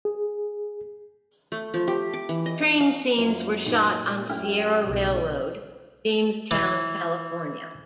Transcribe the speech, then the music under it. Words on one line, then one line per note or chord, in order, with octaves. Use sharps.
The train scenes were shot on Sierra Railroad, Jamestown, California.
G#4
A3
F3
G4
D6
E3
D#5
D#4
F5
F#2 F3 D#4 E4
A#2 D#4
F#2 A3 E4 G5 F6
B1 C#3
E3